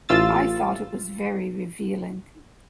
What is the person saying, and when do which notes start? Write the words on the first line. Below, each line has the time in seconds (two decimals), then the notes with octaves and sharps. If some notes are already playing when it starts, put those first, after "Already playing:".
I thought it was very revealing.
0.09 A1 F4 E6 A6